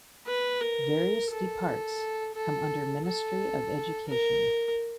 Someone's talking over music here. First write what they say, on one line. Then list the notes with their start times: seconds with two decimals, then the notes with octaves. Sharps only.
Various departs come under ministry of education.
0.27 B4
0.61 A#4
1.30 A4
2.35 A4
3.04 A4
4.08 A#4